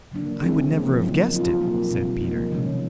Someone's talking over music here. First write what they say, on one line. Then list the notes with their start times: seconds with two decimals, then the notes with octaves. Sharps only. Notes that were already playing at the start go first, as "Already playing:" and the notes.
"I would never have guessed it," said Peter.
0.11 C#3 F#3 A#3 D4
0.42 D#3 G#3 C4 E4 G#4
0.72 C#3 F3 A#3 C#4
1.01 F#3 A#3 D#4
1.32 G#3 C4 F4
1.61 B2 F#3 A#3
1.91 B2 G3 C4
2.21 F3 A#3 D#4
2.51 C3 D#3 G#3 C#4